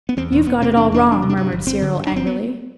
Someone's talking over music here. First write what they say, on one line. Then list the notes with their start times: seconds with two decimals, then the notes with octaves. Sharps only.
'You've got it all wrong,' murmured Cyril angrily.
0.09 B3
0.17 E2 C4
0.32 E1 B3
0.46 E1 B3
0.62 C3 C4
0.77 E2 D4
0.92 E1 D4
1.07 E1
1.12 D4
1.22 C3
1.29 D4
1.37 G2
1.52 G1
1.67 G1 C4
1.82 D3
1.97 G2
2.07 D4
2.12 G1 C4
2.27 B3